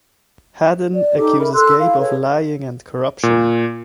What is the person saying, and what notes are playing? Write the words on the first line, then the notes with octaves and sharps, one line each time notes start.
Hadden accuses Gabe of lying and corruption.
D5
D#4 G4 A4 D6
A#4 E5 B5
A4 C6 E6 F#6
E4 F5
G#4 A4 B4 C#5
A#2